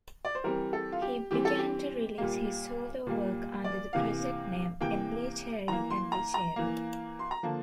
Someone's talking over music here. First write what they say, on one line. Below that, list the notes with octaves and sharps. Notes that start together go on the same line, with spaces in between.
He began to release his solo work under the project name Endlicheri-Endlicheri.
D5
C5
E3 G3 C4 A#4
A4
F4
G4
E3 G3 C4 G4
A4
G4
A#2 G3 A#3
A#2 G3 A#3
D5
C3 E3 A#3 F5
C3 E3 A#3 G5
E3 A#3 A#5
C6
A#5
A#5
E3 A#3
C6
A#5
D3 F3 A#3 A5